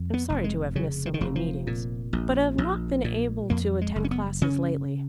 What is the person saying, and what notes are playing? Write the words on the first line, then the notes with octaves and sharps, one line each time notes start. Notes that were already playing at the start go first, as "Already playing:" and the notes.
Am sorry to have missed so many meetings, but have not been able to attend classes lately.
Already playing: F2
B3
F1
G#3
C#3 F#3
F3
D#3
F1 F3
F3
A#2
A#1
A#1
A#2
F2 A#3
G#3
F#1
C#4
B3
C#3 C#4